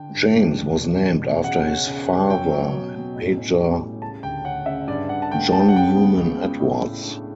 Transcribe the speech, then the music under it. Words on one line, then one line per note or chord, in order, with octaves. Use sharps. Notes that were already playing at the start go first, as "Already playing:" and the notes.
James was named after his father and Major John Newman Edwards.
Already playing: D3 D4 G5
G2
D4
E2
B2
G3
B2
C#3 F#5
C#4
C#3
C#4
F#3 G5
F#3
B2
B2
A2
C#4
G3
A2
C#3 A5
D2 G5
C#4 F#5
C#3 E5
G2 D5
G2 F#5
A5
A3 G5
F#3 A5
G5
F#5
C#3 G5
B3
C#2
C#3
A2
A2
D4